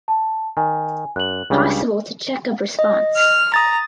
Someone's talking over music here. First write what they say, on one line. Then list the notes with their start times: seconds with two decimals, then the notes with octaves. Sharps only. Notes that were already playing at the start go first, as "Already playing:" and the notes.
Possible to check of response.
0.08 A5
0.57 D#3 G#5
1.16 F#2 F#6 F#7
1.50 C#2 C#3 G3 D4
2.79 D#5
3.16 F6
3.54 A#5 D#6 A6